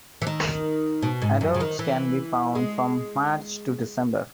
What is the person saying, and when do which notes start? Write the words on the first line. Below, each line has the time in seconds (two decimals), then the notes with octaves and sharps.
Adults can be found from March to December.
0.22 E3
0.27 D#3
1.02 B2
1.22 G#2
1.41 F#2
1.54 C#3
1.60 D#3
1.79 E3
2.55 G#3